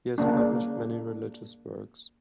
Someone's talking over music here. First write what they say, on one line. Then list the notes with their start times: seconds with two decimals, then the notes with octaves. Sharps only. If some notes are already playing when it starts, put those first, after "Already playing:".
He has published many religious works.
0.18 C#3 A#3 D4